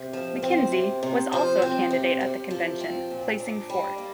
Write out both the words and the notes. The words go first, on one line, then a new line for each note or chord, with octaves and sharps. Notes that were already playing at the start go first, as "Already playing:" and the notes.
McKenzie was also a candidate at that convention, placing fourth.
Already playing: C3
F3
C4
C3
C3
F3 C5
C4
C3
C3
F3
C4
A#2
D4
G3
A#3